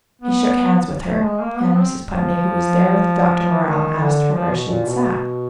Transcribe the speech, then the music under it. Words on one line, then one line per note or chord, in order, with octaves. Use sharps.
He shook hands with her, and Mrs. Putney, who was there with Dr. Morrell, asked her where she had sat.
B3
A3
G#3
A#3
B3
C4
F3
D#3
D3
F3
B2
A#2
B2